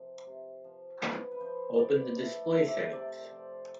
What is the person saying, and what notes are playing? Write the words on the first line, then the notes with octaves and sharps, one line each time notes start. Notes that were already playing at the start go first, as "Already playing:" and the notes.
Open the display settings.
Already playing: C3 F3
C3
F3
B3
B4
F3 C5
B3 D5
A3
C3 E5
D5
C5
C3 D5
F3